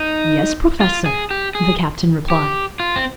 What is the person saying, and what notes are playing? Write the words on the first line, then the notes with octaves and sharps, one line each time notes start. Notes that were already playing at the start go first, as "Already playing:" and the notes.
"Yes, professor," the captain replied.
Already playing: D#4
F4
G#4
G4
G#4
G4
F4
C4